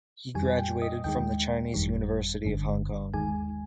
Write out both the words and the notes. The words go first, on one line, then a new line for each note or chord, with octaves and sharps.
He graduated from the Chinese University of Hong Kong.
F2 D#3 G3 G#5
G5
D#5
D#2 D#3 G#3 G5
G1 F2 D#3 G3
G1 G2 D3
D#2 D#3 G#3 G#5